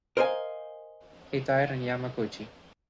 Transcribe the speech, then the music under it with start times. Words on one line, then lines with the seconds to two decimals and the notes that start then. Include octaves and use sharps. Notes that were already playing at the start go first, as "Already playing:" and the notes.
He died in Yamaguchi.
0.17 A#4 C5 D#5 F5 G#5